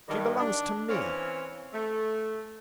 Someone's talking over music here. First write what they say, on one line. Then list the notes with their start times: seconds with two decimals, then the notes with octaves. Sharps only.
She belongs to me.
0.08 G2 D#3
0.40 D4
0.88 E3 C4 C#4 C#5 F5
1.73 A3